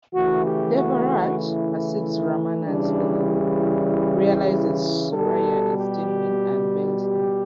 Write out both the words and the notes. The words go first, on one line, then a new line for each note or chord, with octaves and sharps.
Devaraj perceives Ramana's felony, realises Surya is genuine and bails him.
C#3 E3 A3 F#4
G4
F#4
E4
C#3 E3 G3 D4
E4
B2 G3 A4
G4
G4